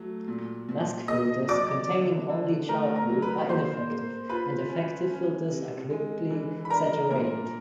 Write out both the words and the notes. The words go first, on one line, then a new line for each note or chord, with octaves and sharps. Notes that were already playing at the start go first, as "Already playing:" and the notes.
Mask filters containing only charcoal are ineffective, and effective filters are quickly saturated.
Already playing: F#3 A3
A#2
A#2
A#3 D#5 D#6
F#3 D5 D6
D3
D3
A3 A#4 A#5
A#4 A#5
F#3
B4 B5
A#3 C5 C6
A#3
F4 B4 B5
C#4
C#4
C3
G#3
E3
B5
D4 A#4 A#5
A#2 A#4 A#5